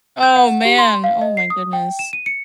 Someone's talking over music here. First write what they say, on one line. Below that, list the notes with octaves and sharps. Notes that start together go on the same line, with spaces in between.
Oh man, oh my goodness.
G6
F#5
G4
C6
F5
D#5
C7
D#6
G5
E7
D#7
C#7